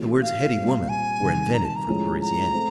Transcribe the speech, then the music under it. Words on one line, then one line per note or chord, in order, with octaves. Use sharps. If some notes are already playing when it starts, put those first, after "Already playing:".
The words heady woman were invented for the Parisienne.
Already playing: E3 A3 C#4 F#4
F5
A#2 G3 C4
G#5
C3 D#3 G3
A#5
A5
A#5
A2 F3 G#3 C#4
A#5
A3 C4